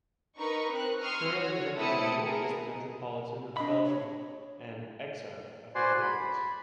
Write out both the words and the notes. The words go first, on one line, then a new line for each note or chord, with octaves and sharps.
Currently the representative is the metropolitan of Belgium and exarch of the Netherlands.
D#4 A#4 B4 C#6
C4 F#6
C6 C#6 D#6 F6 C7
F#4 C#5
A3 C4 E4 A5 D#6 C#7
B3 G#4 A#4
D4 D#5 B5
C#5
F#4 B4 C5 D5 G#5 C6
B5